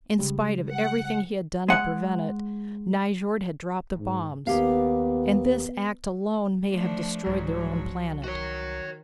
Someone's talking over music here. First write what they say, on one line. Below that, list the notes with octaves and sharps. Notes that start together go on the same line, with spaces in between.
In spite of everything he had done to prevent it, Nyjord had dropped the bombs. And this act alone may have destroyed their own planet.
C#3 G3 G#3
F#5
G#3 F#5
G#2
D#2 B3 G4 F5
F3 A3 D4
C2 G#2 F3 F#3
D#3 F#4 C#5